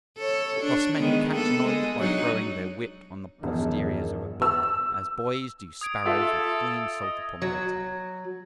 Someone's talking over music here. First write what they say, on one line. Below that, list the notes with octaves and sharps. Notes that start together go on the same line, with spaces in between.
Thus men catch knowledge by throwing their wit on the posteriors of a book, as boys do sparrows with flinging salt upon their tails.
A4 C#5
D4
D#3 G#3 B3
A#3 B3 A4
G#3
F#3 D4 D#4
E1 E2 G2 D#3 F3
E6
D#6 G#6 D7
F4 A4 E5 B6
D#5
F#3